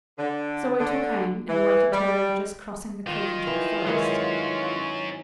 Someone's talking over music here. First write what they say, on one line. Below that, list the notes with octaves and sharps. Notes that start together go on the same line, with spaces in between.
So I took aim and waited till they were just crossing the creek into the forest.
D3
D3
E3
G3
D#3 F4 D5
E3
D#3 E3 F#3 G#3 C#4